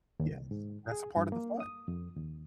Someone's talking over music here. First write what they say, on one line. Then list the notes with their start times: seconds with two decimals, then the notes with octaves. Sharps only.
Yes, that's a part of the fun.
0.20 D#2
0.31 C2
0.51 G#2
0.91 G#4
1.17 G2
1.32 A#3
1.60 D#6
1.88 F2
2.17 D#2